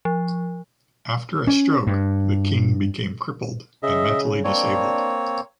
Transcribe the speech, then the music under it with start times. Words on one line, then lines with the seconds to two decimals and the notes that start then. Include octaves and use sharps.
After a stroke, the King became crippled and mentally disabled.
0.05 F3
1.47 C#4
1.87 G2
3.83 C#3 D#5 E5
4.44 A#3 C4 D4 C#5